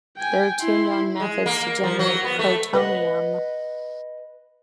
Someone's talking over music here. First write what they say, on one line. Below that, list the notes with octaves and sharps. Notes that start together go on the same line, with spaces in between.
There are two known methods to generate protonium.
G5 G#5
E4 C6
G#3
A#3
F3
F#3
B3
A3
B4 D#5 F#5